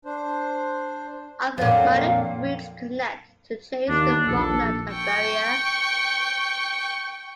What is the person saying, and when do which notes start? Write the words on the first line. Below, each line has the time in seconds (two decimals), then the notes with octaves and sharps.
Other, minor routes connect Chase to Falkland and Barriere.
0.05 D4 C5
1.58 F2 A#2 D3 F#3 F5
3.89 D#2 D4
4.27 A#1 A4
4.93 G5 C#6